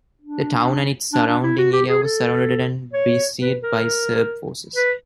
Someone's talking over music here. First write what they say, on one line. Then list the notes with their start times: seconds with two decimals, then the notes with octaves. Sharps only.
The town and its surrounding area was surrounded and besieged by Serb forces.
0.21 D4
1.13 D4
1.27 D4
1.43 E4
1.58 F#4
1.73 G4
1.89 G#4
2.03 A4
2.93 C#5
3.40 B4
3.62 A#4
4.76 B4